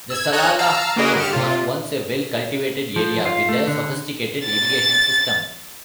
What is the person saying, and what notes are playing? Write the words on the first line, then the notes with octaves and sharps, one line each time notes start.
The Salalah plain was once a well cultivated area with a sophisticated irrigation system.
E6 G#6
C#5 D#5 A5 A#5 F#6 G#6
F5 A5 A#5 E6 F6
A#3 F#4 G#4 A#4 B4 D#5
D3 G4 F6 C#7 E7
C3 F4
F3
F4
A3
D3
A6